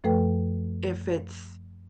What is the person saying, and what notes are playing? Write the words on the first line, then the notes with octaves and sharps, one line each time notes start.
if it's
F#2 F3 A3 A4 B4 G5